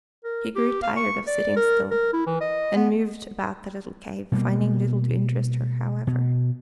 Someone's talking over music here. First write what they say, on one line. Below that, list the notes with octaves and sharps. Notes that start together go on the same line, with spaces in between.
She grew tired of sitting still, and moved about the little cave, finding little to interest her, however.
A#4
G4
F5
C#6
D5
A#4
A#4
E4
E3
D#5
B3
B2 G3 A#3
B2